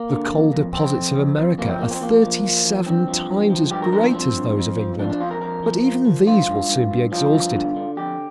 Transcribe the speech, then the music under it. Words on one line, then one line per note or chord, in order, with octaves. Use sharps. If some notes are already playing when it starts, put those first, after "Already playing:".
The coal deposits of America are thirty-seven times as great as those of England, but even these will soon be exhausted.
Already playing: A#3
D3
F2
F2
F2 C4
F2
F2
F2
F2 A#3
C4
F3 A#3
C4
F3 A#3
F3
F3
F3
G2 C4
F3
G2
F3
G2 G4
A#4
F3 A#4
C4
F3 C4
G2
F2
F3
F3 D4
D4
F2 F4
A#4
F3 A#4
F3
F3
F3
G2 F4
G2
G2
G2
F3 F4
G2
D3
D3
F2 G4